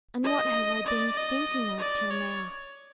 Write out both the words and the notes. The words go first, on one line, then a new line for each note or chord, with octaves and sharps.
"And what have I been thinking of till now?"
D#5
D5
D#5
D5
C#5